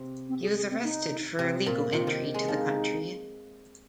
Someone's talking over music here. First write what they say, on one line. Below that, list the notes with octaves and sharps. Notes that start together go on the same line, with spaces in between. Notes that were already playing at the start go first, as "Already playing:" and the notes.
He was arrested for illegal entry to the country.
Already playing: C3
C4
G#4
G#4
C4
D#4
C3
A#2
C3 F4
D#3
G#3
F3 D#4